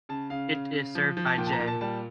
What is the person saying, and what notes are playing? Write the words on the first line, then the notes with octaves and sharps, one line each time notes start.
It is served by J.
C#3 A5
C#3 F5
C#3
C#3
F3
F3
A5
A#2 G5
A5
A#5
A#2
A5
G3 A5